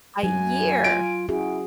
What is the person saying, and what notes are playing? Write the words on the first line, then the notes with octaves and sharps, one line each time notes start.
A year.
F#2 F#3 G#5
F4 D7
C#4 E4 F#4 G#4